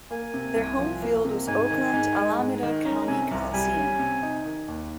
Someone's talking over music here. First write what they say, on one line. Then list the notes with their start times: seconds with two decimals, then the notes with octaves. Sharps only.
Their home field was Oakland-Alameda County Coliseum.
0.11 A#3 G#5
0.34 C3
0.56 C2
0.79 F3
1.02 A#3
1.25 C3
1.47 G#2 G#5
1.71 D#3
1.94 G#2
2.17 G#3
2.39 G#2
2.63 D#3
2.85 C#4 A#5
3.01 A#5
3.08 C3 G#5
3.31 C2 A#5
3.54 G3 G#5
3.77 C#4
3.99 C3
4.23 D#4
4.46 D#3
4.68 D#2